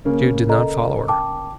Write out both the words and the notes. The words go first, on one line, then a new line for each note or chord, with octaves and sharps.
Jude did not follow her.
C#3 A#3 C#4
A4 D#5 A#5
G5 A5 D6